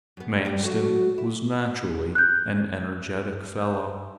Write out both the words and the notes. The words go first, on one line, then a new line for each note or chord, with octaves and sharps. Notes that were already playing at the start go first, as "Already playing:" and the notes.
Manstin was naturally an energetic fellow.
F#2 B3
G2 G3
F#3 A3 F#4
E4
F#6 G6